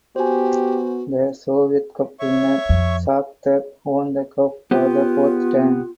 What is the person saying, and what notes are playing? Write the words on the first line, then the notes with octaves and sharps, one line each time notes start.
The Soviet Cup winner Shakhter won the cup for the fourth time.
B3 F#4 G4 C5 G#5
C#5 E5 C#6
F2
B3 F4 G4